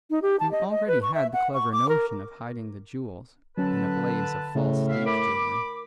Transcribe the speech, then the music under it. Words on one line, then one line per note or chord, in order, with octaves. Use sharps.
You already had the clever notion of hiding the jewels in a blaze of false stage jewellery.
D#4
G4
A5
D#5
D#5
B4
C#6
E5
F#5
C#6
D6
A#4
D3 F#3 C#4 B4 A5
A2 C#3
E5 F5
A#4 B5 D6